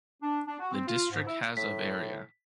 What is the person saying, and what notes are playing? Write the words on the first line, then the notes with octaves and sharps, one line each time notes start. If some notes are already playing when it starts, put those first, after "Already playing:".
The district has of area.
D4
D4
F#4
C4
F4
G#2
E4
A2 B6